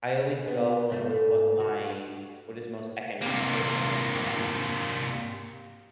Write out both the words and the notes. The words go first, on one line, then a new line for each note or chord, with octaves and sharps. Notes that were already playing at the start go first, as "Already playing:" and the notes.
I always go, like, with what my what is most economical for my plan.
B3
G#2 A3
F#4
C3 A#3